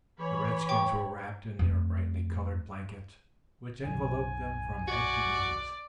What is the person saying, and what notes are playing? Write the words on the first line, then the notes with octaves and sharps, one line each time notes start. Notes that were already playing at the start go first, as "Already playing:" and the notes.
The redskins were wrapped in their brightly colored blankets, which enveloped them from head to knees.
E3 C#5 B5
G5 C#6 D6
F2 A3
B1 F#2 G#5
F#4 D5